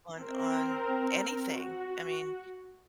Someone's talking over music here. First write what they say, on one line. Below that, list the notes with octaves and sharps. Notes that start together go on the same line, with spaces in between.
on on anything, I mean,
C4 A#4
F#4